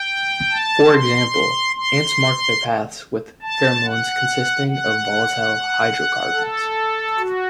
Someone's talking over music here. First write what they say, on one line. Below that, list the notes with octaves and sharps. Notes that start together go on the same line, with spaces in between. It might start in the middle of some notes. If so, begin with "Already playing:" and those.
For example, ants mark their paths with pheromones consisting of volatile hydrocarbons.
Already playing: G5
A5
C6
C6
A5
F#5
F#5
A4
F#4